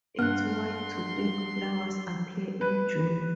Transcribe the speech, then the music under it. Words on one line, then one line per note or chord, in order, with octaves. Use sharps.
Its white to pink flowers appear in June.
G2 F#5 C6 F6 F#6
B4